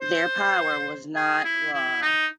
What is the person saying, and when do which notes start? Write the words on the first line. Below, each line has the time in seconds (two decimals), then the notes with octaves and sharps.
Their power was "not" law.
0.01 C5
1.16 G#4
1.44 E4
1.73 E4
2.02 D#4